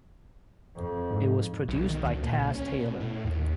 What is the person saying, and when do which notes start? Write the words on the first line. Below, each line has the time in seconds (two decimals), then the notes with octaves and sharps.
It was produced by Taz Taylor.
0.76 F2
1.11 G#2
1.68 B1
1.89 D#3
2.04 D2
2.23 A#2
2.39 C2
2.55 C#4
2.79 B2
3.00 A2
3.24 D#2